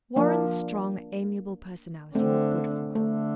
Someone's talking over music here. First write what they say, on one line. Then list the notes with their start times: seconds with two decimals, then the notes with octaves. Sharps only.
Warren's strong, amiable personality was good for her.
0.16 F3 A#3 D4
2.15 D3 A3 C4
2.95 D3 A3